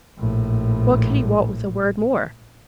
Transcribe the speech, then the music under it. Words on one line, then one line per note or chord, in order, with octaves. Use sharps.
What could he want with a word more?
A#1 A2